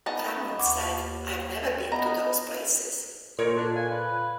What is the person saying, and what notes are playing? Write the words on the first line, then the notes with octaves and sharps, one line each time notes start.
Drummond said I've never been to those places.
B3 D#4 A5
D#2 F#5 C#6 D6
B3 D#5 A#5
A#2 F4 A#4 C5 C#5
D4 F4 D5
F5 G#5
B4